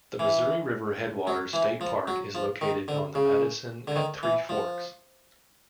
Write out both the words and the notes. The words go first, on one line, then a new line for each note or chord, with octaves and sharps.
The Missouri River Headwaters State Park is located on the Madison at Three Forks.
E3
F#3
E3
F3
F#3
F3
D#3
D3
C#3
D3
D#3
E3
F3